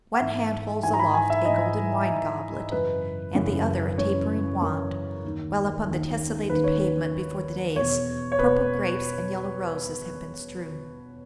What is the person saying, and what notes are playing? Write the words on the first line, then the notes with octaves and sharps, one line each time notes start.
One hand holds aloft a golden wine-goblet, and the other a tapering wand, while upon the tesselated pavement before the dais purple grapes and yellow roses have been strewn.
F#5
G#2 E3 E5
G#2 E3 G#5
A#5
B5
G#5
E5
G#2 E3 D#5
G#2 E3
F#2 C#3 E3 B4
F#2 C#3 E3
F#2 C#3 E3 C#5
F#2 C#3 E3 A#4
D#2 D#3
D#2 D#3
D#2 D#3 B4
C#5
B4
D#2 D#3
E2 B2 C#5
C#5
B2 B4